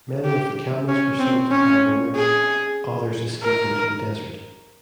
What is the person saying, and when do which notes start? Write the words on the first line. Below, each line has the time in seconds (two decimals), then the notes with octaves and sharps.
Many of the camels were sold to private owners, others escaped into the desert.
0.24 G4
0.88 C#4
1.19 C4
1.51 C#4
2.15 G#4
3.43 A#4